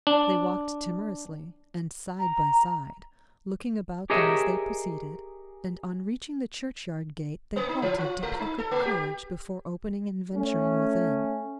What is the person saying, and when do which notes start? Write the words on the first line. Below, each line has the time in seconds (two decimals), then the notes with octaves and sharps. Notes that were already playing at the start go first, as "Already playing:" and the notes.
They walked timorously, and side by side, looking about them as they proceeded, and on reaching the churchyard gate they halted to pluck up courage before opening and venturing within.
0.07 D4
2.20 A#5
4.10 G4 G#4 A#4 C#5 D#5 E5
7.56 A#3
7.69 D#4
7.82 E3
7.98 F4
8.23 G#3
8.39 D#4
8.58 A4
8.71 A3
8.86 G4
10.36 A3 C#4